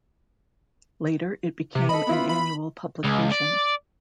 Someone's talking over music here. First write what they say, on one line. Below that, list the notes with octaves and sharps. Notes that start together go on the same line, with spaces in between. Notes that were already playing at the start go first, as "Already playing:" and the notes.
Later, it became an annual publication.
C3
A4 D#5 B5
B3 E4 F4
B5
C#2
D5